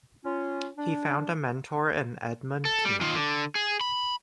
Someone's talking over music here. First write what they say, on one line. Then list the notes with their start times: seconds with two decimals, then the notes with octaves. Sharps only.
He found a mentor in Edmund Kean.
0.24 C#4 F4
0.77 D4
2.65 A4
2.85 G3
3.01 D#3 F4
3.15 D3
3.55 G#4
3.81 B5